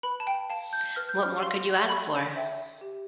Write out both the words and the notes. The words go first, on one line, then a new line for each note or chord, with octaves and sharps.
What more could you ask for?
B4 B5
A5
G5
F5 A5
G6
B4 F6
G6
F6
F5 C6
A4 B5
C5 E5 G5
G4